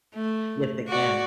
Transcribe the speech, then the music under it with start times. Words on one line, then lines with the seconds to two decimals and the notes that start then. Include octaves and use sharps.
Yes they can.
0.15 A3
0.88 F#4 D5